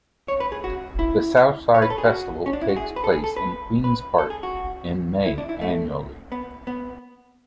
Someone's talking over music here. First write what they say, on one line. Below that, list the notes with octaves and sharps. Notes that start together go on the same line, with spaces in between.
The Southside Festival takes place in Queens Park in May annually.
C#5
B4
G#4
F#4
E4
C#5
B4
A4
G#4
F#4
C#4
D4
E4
F#4
G#4
B4
A4
G#4
A4
B4
B4
A4
G#4
F#4
E4
D4
E4
A3
B3
B3